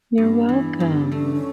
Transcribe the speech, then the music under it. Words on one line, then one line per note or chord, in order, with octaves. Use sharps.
You're welcome.
G2 B3
E3
G2
A3 D4
C#4